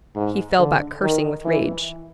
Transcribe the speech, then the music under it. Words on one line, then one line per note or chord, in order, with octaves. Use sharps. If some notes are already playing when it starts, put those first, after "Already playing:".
He fell back cursing with rage.
G#2
D3
D#3
E3